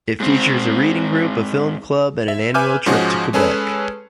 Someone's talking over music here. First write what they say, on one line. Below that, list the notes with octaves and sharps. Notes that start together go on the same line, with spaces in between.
It features a reading group, a film club, and an annual trip to Quebec.
G#2 C4
E5
B4 E5 G#5 D6 F6 G6
G#2 F3 C#4 D#4 F#4 G#4
G#3 C#4 G#4 A4 B4